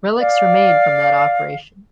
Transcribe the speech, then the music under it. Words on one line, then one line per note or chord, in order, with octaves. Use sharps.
Relics remain from that operation.
D5 F5